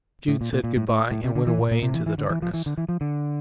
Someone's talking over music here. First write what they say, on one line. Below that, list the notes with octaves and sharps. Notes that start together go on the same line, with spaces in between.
Jude said good-bye, and went away into the darkness.
A2
A#2
A#2
A#2
A2
A2
A2
C3
D3
E3
A#2
A#2
C3
E3
E3
D3
E3
F3
E3
D3
E3
F3
D3